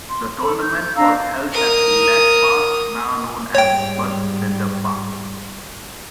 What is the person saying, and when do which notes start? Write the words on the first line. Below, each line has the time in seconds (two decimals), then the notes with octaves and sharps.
The Tournament was held at Lilac Park, now known as Bud Bender Park.
0.09 C6
0.40 A4 B5
0.61 G6
0.95 D4 F5 A#5 E6
1.52 A#4 D#6
3.55 G#2 G3 C#5 G5